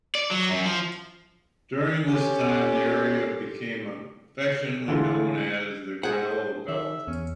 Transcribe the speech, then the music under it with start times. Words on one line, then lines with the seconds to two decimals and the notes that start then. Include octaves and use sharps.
During this time, the area became affectionately known as "The Granola Belt".
0.15 D5
0.31 F#3
0.50 F#2
0.66 F3
2.05 C4 C#4 G4 A4
4.88 D3 E3 G#3 F4
6.03 G#4 C5 F#5
6.68 D#3 E5
7.08 E2 C#4